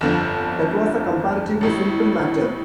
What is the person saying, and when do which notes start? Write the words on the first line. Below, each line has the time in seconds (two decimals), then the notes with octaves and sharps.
That was a comparatively simple matter.
0.01 G1 F2 D3 F3
1.61 A1 A2 G3